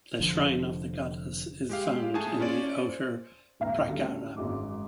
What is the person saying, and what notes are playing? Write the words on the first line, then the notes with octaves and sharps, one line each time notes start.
The shrine of the Goddess is found in the outer prakaram.
F1 D3 F3
G#3 G4 F5
A2 G#4 G#5 A5
C#4 F4 C#5 D5
C5
D#1 A1 B3 F5 A#5
D3 F#3 G3 A3 C#4
G#1 F#2 F#3 G#3 D#5 D6